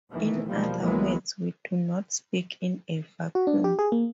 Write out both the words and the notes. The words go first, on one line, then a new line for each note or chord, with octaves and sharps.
In other words, we do not speak in a vacuum.
B1 B2 D#3 E3 A3
E2 B2 D#3 F3 G3 A#3
C#2 E3 F#3 G#3 A#3 B3
F#4
D4
G4
G#4
A#3